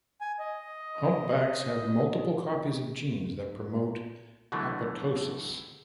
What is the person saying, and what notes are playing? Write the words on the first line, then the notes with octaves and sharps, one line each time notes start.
Humpbacks have multiple copies of genes that promote apoptosis.
G#5
D#5
B2 D3 E3 F#3 G#3 A3